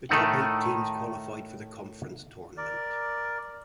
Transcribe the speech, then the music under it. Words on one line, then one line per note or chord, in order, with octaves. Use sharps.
The top eight teams qualified for the conference tournament.
A2 D#3 A3 D#4 F#5
A#4 D5